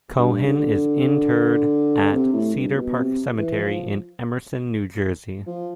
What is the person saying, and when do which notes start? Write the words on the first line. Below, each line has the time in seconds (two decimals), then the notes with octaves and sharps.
Cohen is interred at Cedar Park Cemetery, in Emerson, New Jersey.
0.18 G2
0.46 D3
2.12 C3
2.33 A2
2.54 G2
2.75 B2
2.96 C3
3.37 E3
3.58 F3
5.47 F3